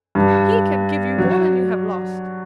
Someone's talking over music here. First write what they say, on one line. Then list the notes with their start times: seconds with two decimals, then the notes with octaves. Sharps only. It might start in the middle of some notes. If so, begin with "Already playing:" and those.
"He can give you more than you have lost."
0.15 G2
1.18 F#3